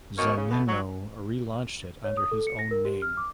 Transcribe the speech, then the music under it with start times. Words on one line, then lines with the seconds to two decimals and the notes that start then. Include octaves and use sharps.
Zunino relaunched it under his own name.
0.17 B2 D#3 A#3 C#5
0.36 C#3
0.50 B2 A3 B3
0.67 F#3
2.04 C#5
2.17 D#6
2.32 A4
2.47 C#7
2.59 A#6
2.71 A#4
2.85 G4
3.02 F6
3.17 D6